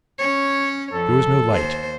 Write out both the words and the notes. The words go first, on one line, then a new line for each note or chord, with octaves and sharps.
There was no light.
C#4 C#5
F2 A4
D#2 C5